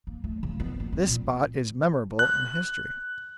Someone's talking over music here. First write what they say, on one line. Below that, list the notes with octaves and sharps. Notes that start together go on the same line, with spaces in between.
This spot is memorable in history.
A#3
A3
C#3
B3
A#3
C4
A#2
F#6